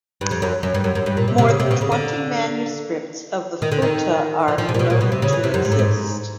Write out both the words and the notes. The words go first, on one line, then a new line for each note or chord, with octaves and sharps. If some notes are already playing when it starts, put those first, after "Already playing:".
More than twenty manuscripts of the "Futuh" are known to exist.
G2
F2
F#2
F#2
G2
F#2
F#2
G2
A#2
C3
C3
C#3
C3
B2
C#3
D3
D#3
D3
D#3
F3
F3
C3
A#2
B2
A#2
B2
C3
C#3
E3
C3
F#2
G#2
A2
G#2